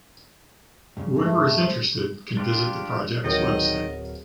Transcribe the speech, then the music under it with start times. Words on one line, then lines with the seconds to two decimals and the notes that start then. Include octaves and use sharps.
Whoever is interested can visit the project’s website.
0.97 G2 C#3
1.16 G#2 G#3 A3
1.62 C5
2.37 D4 F4 G4
3.24 D1 D#3 F#3 A#4 D#5 G5